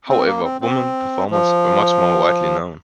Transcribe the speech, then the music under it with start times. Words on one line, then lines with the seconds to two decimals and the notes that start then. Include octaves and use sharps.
However women performers were much more widely known.
0.09 C4
0.26 A#3
0.44 C4
0.61 C4
1.31 F3